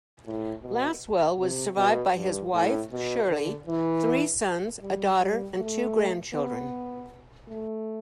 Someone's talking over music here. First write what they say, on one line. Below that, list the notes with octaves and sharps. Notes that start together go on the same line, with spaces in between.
Lasswell was survived by his wife, Shirley, three sons, a daughter and two grandchildren.
A2
B2
C3
B2
G2
A2
B2
D3
E3
G3
G3
A3
B3
A3